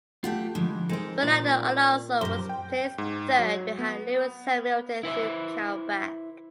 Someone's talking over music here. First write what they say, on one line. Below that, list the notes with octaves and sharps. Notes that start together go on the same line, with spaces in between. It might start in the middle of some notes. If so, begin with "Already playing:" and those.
Fernando Alonso was placed third, behind Lewis Hamilton through countback.
A3 F4 G4 F#5
D3 E3 F3 G#3
G#3 C4 D#4 A4 A#4
A#2 D5
F#2 B2 G4 A#4 C5
G5
G#2
F#3
B3
E4 B4 C5 E5